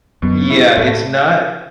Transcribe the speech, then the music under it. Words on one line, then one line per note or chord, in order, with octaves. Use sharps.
Yeah, it's not
F#2 B2
E4
A2 A3